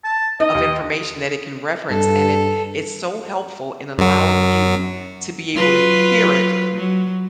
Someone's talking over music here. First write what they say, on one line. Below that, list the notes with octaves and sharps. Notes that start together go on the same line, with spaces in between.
of information that it can reference. And it it's so helpful in allowing you to be able to hear it
A5
D#4 D#5
D#2
G2 A4
F#2 F#3
F#3 F4 B4
F#3